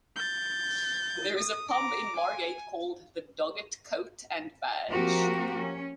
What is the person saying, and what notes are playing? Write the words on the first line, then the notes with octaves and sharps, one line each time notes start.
There is a pub in Margate named "The Doggett Coat and Badge".
G6 A6
D#6
A#5 D6
G#5
F3 A#3 C4 F#4 G4 A#4
C#4